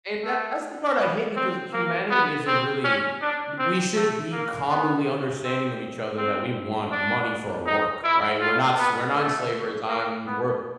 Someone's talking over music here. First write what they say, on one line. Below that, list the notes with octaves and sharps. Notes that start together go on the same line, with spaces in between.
And that that's the part I hate because humanity isn't really we should be commonly understanding of each other that we want money for our work, right? We're not s we're not in slavery times. We're
A3
B3
C4
A#3
B3
C4
C#4
D4
C4
A3
A#3
B3
C4
C4
D4
D#4
E4
F4
B3
A3
A#3
B3